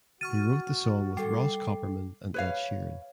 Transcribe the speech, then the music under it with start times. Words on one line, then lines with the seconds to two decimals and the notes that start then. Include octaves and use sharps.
He wrote the song with Ross Copperman and Ed Sheeran.
0.21 F#4 C#6 F6 A6 D#7
1.17 G3 A4 G5 C7
2.34 B4 C#5 F5